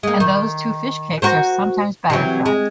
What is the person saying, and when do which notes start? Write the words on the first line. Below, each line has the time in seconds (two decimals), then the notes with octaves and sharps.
And those two fish cakes are sometimes batter-fried.
0.03 G#3 A#3
0.20 D#3
1.22 F#4 A#4 C5
2.10 C3 E3 F#3
2.46 G#3